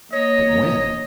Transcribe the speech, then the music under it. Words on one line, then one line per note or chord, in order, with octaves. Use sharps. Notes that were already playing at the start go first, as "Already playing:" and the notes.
"But when?"
A#3 C#5 D#5